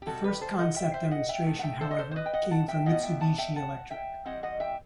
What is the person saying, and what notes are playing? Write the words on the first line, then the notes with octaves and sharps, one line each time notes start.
The first concept demonstration however came from Mitsubishi Electric.
G4
C3 D#3 G3 F#4 A4
G4 B4
A4 C5
D#5 F#5
E5 G5
C5 E5
D#5 F#5
E5 G5
D#3 A3
F#5
E5 G5
A4 C5
D#5
A4 C5
C5
B4 D#5
G5
D#5 F#5
F#5 A5
E5 G5
A2 G3 B3 D#5 F#5
E5 G5
F#5 A5
E5 G5
F#5 A5
E5 G5
E3 G3 C4 D#5 F#5
D#5 F#5
E5 G5